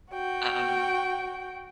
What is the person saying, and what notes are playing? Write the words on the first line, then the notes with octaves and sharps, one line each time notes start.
Uh um,
F#4 G5